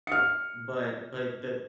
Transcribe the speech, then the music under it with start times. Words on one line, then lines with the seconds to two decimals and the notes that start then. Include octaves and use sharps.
But but the
0.07 F6 C#7